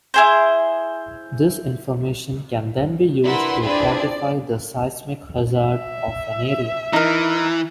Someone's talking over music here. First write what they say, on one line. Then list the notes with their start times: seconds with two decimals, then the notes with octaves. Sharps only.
This information can then be used to quantify the seismic hazard of an area.
0.14 E4 G#4 C5
3.24 D4 E4 A#4 B4 F#5 C6
3.62 C4 D4 E4 F4 G#4 B4
3.97 D5
5.59 E5
6.93 E3 D#4 A#4